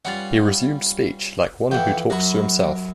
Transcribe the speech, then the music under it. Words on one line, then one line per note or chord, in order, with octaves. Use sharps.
He resumed speech like one who talks to himself.
G3 C#4 F4 B4 F#5
F2 E3 F#5 G5
F#2 F#3 F#4 B5 C#6